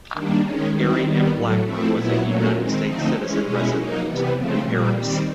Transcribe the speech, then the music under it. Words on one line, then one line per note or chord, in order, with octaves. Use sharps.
Harry M. Blackmer was a United States citizen resident in Paris.
D#3 G3 A#3 D4
D#3 G#3 C#4
D#3 G3 C4 E4
D#3 G3 B3
A2 F#3 A3
F3 A3 C4 E4
A#2 F#3 B3 E4
A#2 F#3 A3 C#4
D#3 G#3 C4
D3 F3 A3 C4 D#4
E3 G#3 C#4
B2 G#3 C#4 E4
F#3 A#3 D#4
C3 E3 G3 B3
C#3 F3 A3 C4
A#2 G3 A#3
D#3 G3 C4